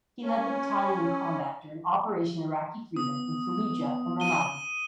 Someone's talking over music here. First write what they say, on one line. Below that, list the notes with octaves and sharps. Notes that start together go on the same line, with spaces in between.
He led the battalion in combat during Operation Iraqi Freedom in Fallujah and Ramadi.
C#4
B3 D#6
D#7 G7